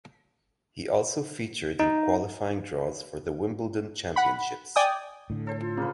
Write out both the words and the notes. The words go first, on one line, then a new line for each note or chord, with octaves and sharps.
He also featured in qualifying draws for the Wimbledon Championships.
D#4
F#5 B5
D5 G5 G#5 D#6
A2 D3
A4 C5 C#5
F4
C#3 A#3 B4